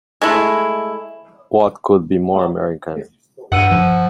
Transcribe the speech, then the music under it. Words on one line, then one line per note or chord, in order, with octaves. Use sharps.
What could be more American!
G#3 A3 E4
G2 F#5 E6 D#7
F3